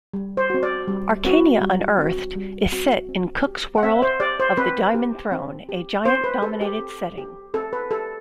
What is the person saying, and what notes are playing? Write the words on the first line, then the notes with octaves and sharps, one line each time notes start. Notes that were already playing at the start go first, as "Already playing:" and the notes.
"Arcana Unearthed" is set in Cook's world of "The Diamond Throne", a giant-dominated setting.
G3
C5
C4 F#4
D5
G3
C4 F#4
G3
C4 F#4
G3
C4 F#4
C4
G4
F#5
C4 E5
C5
G4 D5
C5
C4 B4
G4
C4
G4
C4 C5
B4
G4 A4
G4
C4
G4
C4 A4
B4
G4 A4